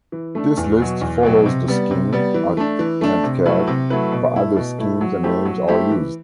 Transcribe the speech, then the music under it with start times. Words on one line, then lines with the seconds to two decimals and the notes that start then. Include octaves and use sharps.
This list follows the scheme at AntCat, but other schemes and names are used.
0.12 E3
0.35 A3 D4
0.57 E2
0.79 B2 F#3
1.01 E2
1.23 B2 F#3
1.46 C3
1.68 G3 B3
1.91 C3
2.13 G3 B3
2.34 E3
2.57 A3 D4
2.79 E3
3.01 A3 D4
3.23 C3
3.46 F#3 A3 E4 B4
3.67 C3
3.90 F#3 A3 E4 B4
4.12 B2
4.34 A3 E4
4.56 B2
4.79 A3 E4
5.01 F#3
5.23 A3 E4 G4 C5
5.45 F#3
5.67 A3 E4 G4 C5
5.90 E3